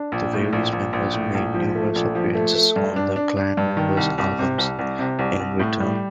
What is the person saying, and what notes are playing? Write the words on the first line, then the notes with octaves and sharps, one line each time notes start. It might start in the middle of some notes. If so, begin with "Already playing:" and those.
The various members made numerous appearances on the clan members albums in return.
Already playing: D4
A#1
A2
A#1
A#1
A#1
A2
A#1
F3
A3
A#1
F3
A3
A3
G2
D4
D4
D4
G2
D#3
C2
C2
C3
C2
C2
C3
C2
C2
A2
G3